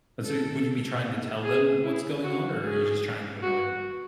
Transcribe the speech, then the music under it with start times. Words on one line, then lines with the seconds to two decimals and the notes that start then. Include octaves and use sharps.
and so you would you be trying to tell them what's going on or are you just trying to annoy them?
0.24 A4
1.44 G#4
1.83 E4
2.23 F#4
2.63 G#4
3.43 F#4